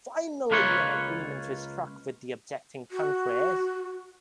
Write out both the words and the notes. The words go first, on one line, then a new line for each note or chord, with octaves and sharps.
Finally an agreement was struck with the objecting countries.
C#2 A#3 F4 B4 C#5
F#4